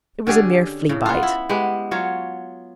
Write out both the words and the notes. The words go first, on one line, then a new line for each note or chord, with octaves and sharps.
It was a mere flea-bite.
D3 C#4 G4 G#4
A2 C#3
B3 F4
E4
G#3 B3 G4 B4
F#3 F4 C#5